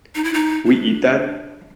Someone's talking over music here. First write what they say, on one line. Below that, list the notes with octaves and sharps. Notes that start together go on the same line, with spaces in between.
We eat that?
D#4
E4
D#4
D4